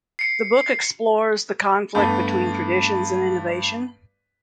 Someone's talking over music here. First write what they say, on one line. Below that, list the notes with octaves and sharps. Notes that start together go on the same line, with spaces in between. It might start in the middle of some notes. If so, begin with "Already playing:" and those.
The book explores the conflict between traditions and innovation.
C7 C#7
G2 A3 B3